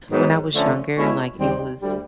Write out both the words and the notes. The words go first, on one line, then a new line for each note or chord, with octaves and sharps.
when I was younger, like, it was,
G#2 D#3 F#3 B3
D3 F3 A3 C#4
B2 G#3 C#4 E4
D#2 D#3 G3 C4
D2 D3 G3